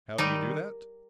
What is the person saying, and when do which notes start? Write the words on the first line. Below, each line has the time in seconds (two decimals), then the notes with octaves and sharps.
"How do you do that?"
0.18 D#3 G3 D#4